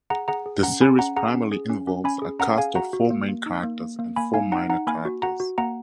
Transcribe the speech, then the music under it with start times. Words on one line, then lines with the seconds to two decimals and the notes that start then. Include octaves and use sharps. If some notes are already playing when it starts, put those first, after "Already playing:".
The series primarily involves a cast of four main characters and four minor characters.
0.10 G#4 F#5 A#5
0.28 G#4 F#5 A#5
0.46 G#4
0.63 C#4 F#5 A#5
0.81 G#4 G#5 B5
0.99 C#4 F#5 A#5
1.16 G#4 F#5 A#5
1.34 C#4
1.51 G#4
1.70 C#4
1.87 C#4
2.04 C#4 G#5 B5
2.22 G#4
2.39 C#4 F#5 A#5
2.58 G#4 F5 G#5
2.75 F#4 F#5 A#5
2.93 F#4
3.11 A#3
3.29 A#3
3.46 D#4
3.63 A#3
3.81 A#3
3.99 A#3
4.16 A#3 G#5 B5
4.34 D#4 F5 G#5
4.52 D#4 F#5 A#5
4.70 D#4 F#5 A#5
4.87 A#3 G#5 B5
5.05 F#4
5.22 F#4 F#5 A#5
5.40 F#4
5.58 A#3 F#5 A#5